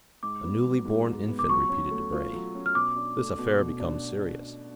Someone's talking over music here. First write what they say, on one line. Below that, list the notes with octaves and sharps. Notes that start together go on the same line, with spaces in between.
"A newly born infant," repeated Debray; "this affair becomes serious!"
G#2 D6
B3
F#3
G#2
G#2
B3
D6
F#3 C#6
C#4
A3
F4
F#3
C#4
F6
B2 D6
D4
A3
B2
B2
D4